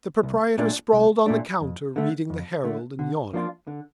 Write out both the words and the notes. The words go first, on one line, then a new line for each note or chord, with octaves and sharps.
The proprietor sprawled on the counter reading the Herald and yawning.
C2
A#2 A3 D4
C2
A#2 A3 D4
F2
D3 A3
F2
D3 A3
D3
F3 A#3 D4 F4
D3